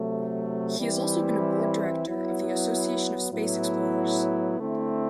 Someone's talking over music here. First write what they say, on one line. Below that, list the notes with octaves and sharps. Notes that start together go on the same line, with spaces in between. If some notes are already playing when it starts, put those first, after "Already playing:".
He has also been a board director of the Association of Space Explorers.
Already playing: C3 F#3 A3
E3 G3 C4 E4
F#3 B3 E4
A2 F#3 B3 E4
D3 A3 C4 E4